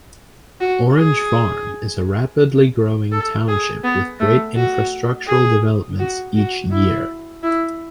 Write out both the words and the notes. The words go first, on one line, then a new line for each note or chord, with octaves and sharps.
Orange Farm is a rapidly growing township with great infrastructural developments each year.
F#4
G#4
A4
G#4
B3
A3
F#4
G#4
F#4
F#4
E4
E4